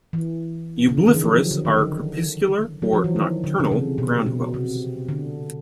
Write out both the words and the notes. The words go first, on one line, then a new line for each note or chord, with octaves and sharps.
"Eublepharis" are crepuscular or nocturnal ground-dwellers.
E3
C#3
D3
D#3
E3
F3
F#3
D3
D#3
D3
F#3
F3
E3
D#3
D3
C#3
C3
B2
B2
C3
D3